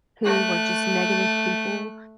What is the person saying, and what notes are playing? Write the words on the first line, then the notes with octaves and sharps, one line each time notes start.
who were just negative people,
A3 F#6